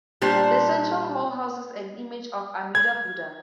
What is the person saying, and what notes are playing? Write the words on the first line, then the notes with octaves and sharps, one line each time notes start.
The central hall houses an image of Amida Buddha.
A#2 G3 D4 C5
G#6